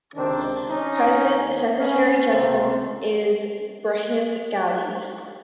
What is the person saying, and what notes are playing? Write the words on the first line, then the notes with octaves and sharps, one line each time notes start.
Present Secretary-General is Brahim Gali.
C#2 C3 D#3 C4 D4
C#4 D#4
D#2 D#3
B3 C#4
C#2 C3 D#3 A#3 C4